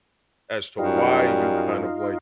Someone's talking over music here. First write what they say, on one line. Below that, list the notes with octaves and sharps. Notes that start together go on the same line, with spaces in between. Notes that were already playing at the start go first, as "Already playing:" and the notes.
as to why you kind of like
F#2 G3 D#4 F4